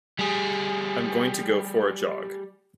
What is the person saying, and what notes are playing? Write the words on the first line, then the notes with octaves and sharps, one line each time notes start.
I'm going to go for a jog.
G3 G#4